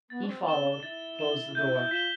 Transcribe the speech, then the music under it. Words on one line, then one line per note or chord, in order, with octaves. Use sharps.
He followed, closed the door.
B3 A6
D4
C4
C4 E7 G7
D4
E4 A6
E7 G7
E4 G6
E4
F4 B6 E7 G7